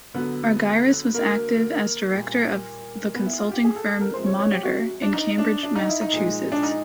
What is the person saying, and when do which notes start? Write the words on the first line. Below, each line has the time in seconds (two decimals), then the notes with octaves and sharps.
Argyris was active as director of the consulting firm Monitor in Cambridge, Massachusetts.
0.14 D3 F#3 B3
1.15 A#3
2.14 A#2 G3
3.14 B3
3.26 E4
3.38 F4
3.51 G4
3.64 G#4
3.76 A4
3.89 A4
4.01 A#4
4.14 C3 F3 G#3 C5
4.26 C#5
4.39 C#5
4.52 G4
4.63 F#4
5.02 D4
5.13 D#4
5.38 D4
5.63 D4
5.75 D#4
5.89 E4
6.01 D#4
6.13 A#2 F3 G#3
6.52 D4
6.63 D#4